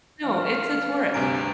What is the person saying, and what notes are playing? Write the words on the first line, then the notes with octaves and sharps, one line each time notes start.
No, it's a tourist.
E3 F5
B4
D2 G2 C3 G#5 A#5 D7